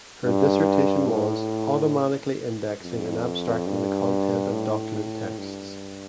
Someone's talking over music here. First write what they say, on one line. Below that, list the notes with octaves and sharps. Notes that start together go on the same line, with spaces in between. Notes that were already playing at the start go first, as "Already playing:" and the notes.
Her dissertation was "Automatically Indexing and Abstracting the Content of Document Texts".
G2
A2
F2
G2
A2
G2